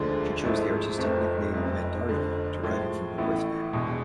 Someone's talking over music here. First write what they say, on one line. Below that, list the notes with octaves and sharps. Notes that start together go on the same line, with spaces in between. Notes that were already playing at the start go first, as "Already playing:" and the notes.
She chose the artistic nickname "Mandaryna" deriving from her birth name.
Already playing: E1 D2 D3 F3 G#3
G#1 G#2 F3 A3 E4
F1 F2 C3 F3 A3
F1 F2 C3
F1 F2 D3
A2 F3 G#3
A1 A2 E3 B3 E4
E1 E2 B2 G#3